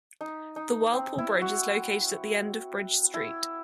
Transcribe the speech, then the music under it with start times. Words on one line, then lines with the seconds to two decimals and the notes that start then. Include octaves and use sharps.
The Whirlpool Bridge is located at the end of Bridge Street.
0.21 D#4
0.56 D#4
0.93 C4
1.18 E4
1.42 F#4
3.14 E4